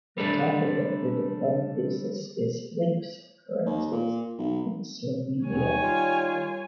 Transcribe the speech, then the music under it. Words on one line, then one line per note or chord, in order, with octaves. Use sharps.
The topic of her diploma thesis is lynx occurrences in Slovenia.
G3 A3 D4
D#2
A#2
B1
D#2 D#3 G3 C#5 G#5
F4